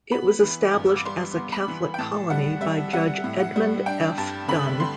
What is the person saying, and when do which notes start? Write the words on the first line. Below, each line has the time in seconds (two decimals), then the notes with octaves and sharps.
It was established as a Catholic colony by Judge Edmund F. Dunne.
0.11 B3 B5
0.42 E3
0.74 G2
0.86 E6
0.96 D6
1.05 G3 C6
1.36 B3
1.52 B5
1.68 E3
1.94 G5
1.98 A2 A5
2.30 G3 F#5
2.61 G3 E5
2.93 G3 F#5
3.24 A2
3.40 F#5
3.56 G3
3.86 D4 G5
4.18 G2 A5
4.48 D3 B5
4.80 D3 C6